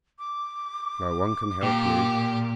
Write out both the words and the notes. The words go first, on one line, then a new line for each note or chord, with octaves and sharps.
No one can help you.
D6
A#2 G4